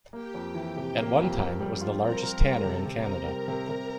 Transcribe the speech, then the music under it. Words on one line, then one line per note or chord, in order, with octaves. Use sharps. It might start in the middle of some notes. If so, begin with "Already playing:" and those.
At one time, it was the largest tanner in Canada.
A#3 G4 G5
F2
E3
C3
A#3
F2
A#4
G3
F4
C4 A#4 A#5
A#4
G3
C3 A4 A5
C3
A#4 A#5
C4
G3
C3
C3